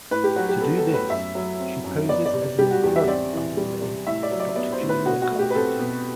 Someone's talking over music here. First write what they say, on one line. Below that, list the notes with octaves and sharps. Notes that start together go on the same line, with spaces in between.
To do this, she poses as an employee under the name "Doctor Julia Carpenter".
A2 B4
G4
F#3 F#4
G4
B3 A4
A4
A2
B4
F#2 E5
F#3
C4
F#2
B3 D5
D5
C3
G3 G4
F#4
E2 G4
E5
C4 D5
E3
G3
C3
A2 E5
D5
F#3
D5
B3 D5
C5
A2
B4
B2 F#4
F#4
A3
G4
B4
C4 A4
B2